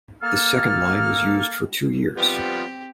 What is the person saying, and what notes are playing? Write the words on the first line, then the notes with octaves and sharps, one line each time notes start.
This second line was used for two years.
A#3 A4 F6
F3 G3 B3 C4 G4